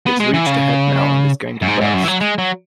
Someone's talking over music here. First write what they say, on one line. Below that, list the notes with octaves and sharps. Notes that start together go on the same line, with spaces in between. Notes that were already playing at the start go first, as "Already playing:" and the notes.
It's reached a head now and is going to burst!
B3
G#3
E3
C#3
F#2
G#2
G#2
F#2
E3
F#3
G#3
F#3